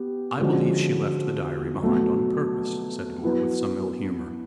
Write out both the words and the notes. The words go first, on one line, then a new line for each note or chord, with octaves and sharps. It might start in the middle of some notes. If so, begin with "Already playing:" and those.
"I believe she left the diary behind on purpose," said Gore, with some ill-humor.
Already playing: B3 G4
D3 F3 G#3 C#4 F#4
B2 F#3 A3
F#3 B3 E4